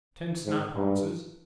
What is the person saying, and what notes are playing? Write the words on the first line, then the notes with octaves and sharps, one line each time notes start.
Ten snaphaunces.
G#2
G2